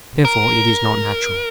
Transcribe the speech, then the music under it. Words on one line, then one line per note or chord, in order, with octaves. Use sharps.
Therefore it is not natural.
A#4